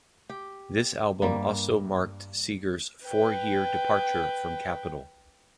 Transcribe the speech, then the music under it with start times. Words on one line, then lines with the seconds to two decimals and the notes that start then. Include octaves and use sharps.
This album also marked Seger's four-year departure from Capitol.
0.29 G4
1.22 G2 G3 A#3
3.05 B4 G5